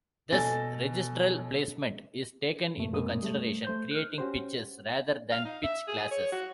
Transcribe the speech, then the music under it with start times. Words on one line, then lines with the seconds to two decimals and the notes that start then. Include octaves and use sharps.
Thus regristral placement is taken into consideration, creating pitches rather than pitch classes.
0.32 B2 A4 G#5 A6 A#6
2.77 F#2 C3 A3
2.93 F#2 B2 G#3 A#3 C4 D#6
3.23 G3 A3
3.65 A3 C5 G6
3.91 F6 F#6
4.18 C#4 F#4 G4 C5
5.32 F5
5.45 D#4
5.64 E5
5.88 G#4
6.12 C#5
6.32 F#4